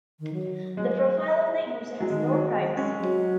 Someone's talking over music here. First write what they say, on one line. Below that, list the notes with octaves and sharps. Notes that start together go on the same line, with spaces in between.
The profile of the user has no privacy.
D#3
F#3
G#3
F#3
D#3 G#3
F#3
G#3
G#3 C#4
F#3 G#3